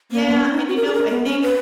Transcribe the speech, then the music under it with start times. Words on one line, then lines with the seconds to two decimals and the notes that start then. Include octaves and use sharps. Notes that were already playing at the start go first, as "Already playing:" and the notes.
Yeah, and, you know, I think,
0.11 A#3
0.27 B3
0.44 C#4
0.52 D#4
0.68 F#4
0.76 A#4
0.87 G#4
0.93 A#4
1.10 B3
1.25 C#4
1.42 B4